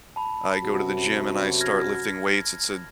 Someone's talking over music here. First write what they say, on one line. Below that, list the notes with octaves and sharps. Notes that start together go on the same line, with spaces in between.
I go to the gym and I start lifting weights, it's a
A5 B5
F#2 C3 F#4
F6 G#6 A#6